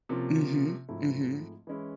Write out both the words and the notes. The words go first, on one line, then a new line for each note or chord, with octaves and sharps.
Mhm, mhm.
C3 F3 A#3 C#4 F4
G#2 F3 A3 C4 E4
E3 G#3 C#4 E4